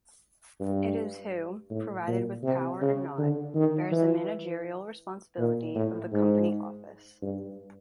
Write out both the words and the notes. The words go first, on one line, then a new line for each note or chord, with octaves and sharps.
It is who, provided with power or not, bears the managerial responsibility of the company office.
G2
A2
A#2
C3
C#3
D3
D#3
E3
A#2
A2
G#2
G2